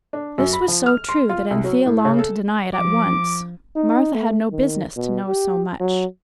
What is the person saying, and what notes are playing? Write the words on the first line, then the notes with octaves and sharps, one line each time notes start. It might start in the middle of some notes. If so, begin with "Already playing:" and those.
This was so true that Anthea longed to deny it at once - Martha had no business to know so much.
D4
F#2
B5
F3
F6
C6
F4
C2
F#3
A2
C#3
A4
F3 D6
D#4
A3
D#3
B2
G4
F#3